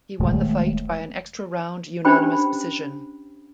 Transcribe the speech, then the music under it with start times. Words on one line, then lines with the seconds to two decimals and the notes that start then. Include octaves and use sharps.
He won the fight by an extra round unanimous decision.
0.19 D#1 G#3 A3
2.05 C#4 D4 G4 C5 G5 B5